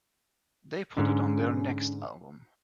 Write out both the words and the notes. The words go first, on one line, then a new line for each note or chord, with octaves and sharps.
They put it on their next album.
G#2 D3 C#4